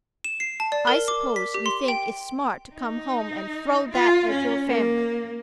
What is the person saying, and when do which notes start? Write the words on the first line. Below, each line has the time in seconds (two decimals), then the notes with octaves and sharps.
"I suppose you think it's smart to come home and throw that at your family!"
0.24 E7
0.40 C7
0.60 A5
0.72 D5
0.87 A#4
1.08 D6
1.36 B6
1.54 G4
1.66 C6
1.88 G5
2.75 D#4
3.90 F4
4.30 C#4
4.67 A#3